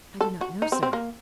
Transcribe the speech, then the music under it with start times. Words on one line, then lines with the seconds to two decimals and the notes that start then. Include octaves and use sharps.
"I do not know, sir."
0.21 A4
0.41 F#4
0.62 D#4
0.72 C4
0.83 C4
0.93 A#3